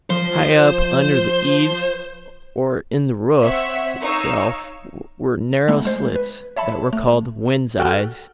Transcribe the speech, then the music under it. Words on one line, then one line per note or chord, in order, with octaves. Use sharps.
High up under the eaves or in the roof itself were narrow slits that were called wind's-eyes.
F3 C5
C4 C#5 E5 F#5
D#4 C#5 F5 C#6 E6
G#3 A3 B3 D#4
G#3 C5 G6
B4
C#5 E5 A5 B5
A3
F#4 A4 F#5 G5 F6 F#6